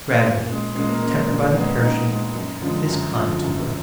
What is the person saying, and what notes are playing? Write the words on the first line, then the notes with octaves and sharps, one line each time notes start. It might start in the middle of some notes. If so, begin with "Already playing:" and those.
Gravity, tempered by the parachute, is kind to her.
A#2
G#3
A#2 G#3
A#3
G#3
A#2 D4
D4
G#3 B3
A#2 D#4
G#3
F#2
D3 F3 G#3
F#2
D3 F3 G#3
F#2